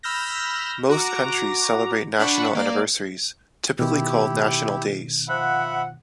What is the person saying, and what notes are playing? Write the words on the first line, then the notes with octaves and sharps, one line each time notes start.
Most countries celebrate national anniversaries, typically called national days.
B5 E6 F6 G6 A#6
F#4 A#5 D6
D4 F#5 B5 C#6
A#3 D5
B2 D#3 E4 G4
F3 E5 F#5 B5